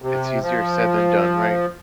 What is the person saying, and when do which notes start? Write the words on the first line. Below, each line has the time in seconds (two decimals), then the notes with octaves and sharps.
It's easier said than done, right?
0.02 C3
0.43 F3